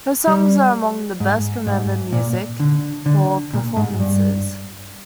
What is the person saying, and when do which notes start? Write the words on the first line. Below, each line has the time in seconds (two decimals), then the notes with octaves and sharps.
Her songs are among the best-remembered music hall performances.
0.27 G3
1.20 G#2
1.67 G#2
2.13 A#2
2.60 D3
3.06 D3
3.53 A#2
3.77 G#2
4.00 G2